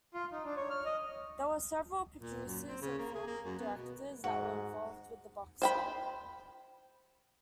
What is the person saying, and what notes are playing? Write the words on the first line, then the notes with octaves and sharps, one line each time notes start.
There were several producers and film directors that were involved with the box set.
F4
D#4
D4
C#5
F6
D#5
A#2
F#2
C4
C#3
A#3
G#4
A#3
F#2
B3
B2
G#2 F#4
C5 G5 B5